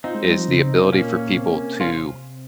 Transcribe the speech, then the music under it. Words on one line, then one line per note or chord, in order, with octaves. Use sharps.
is the ability for people to
C4 D#4 F4
G#3
G3
F3
C#3
C3
A#2 A#3 C#4
C3
C#4 F4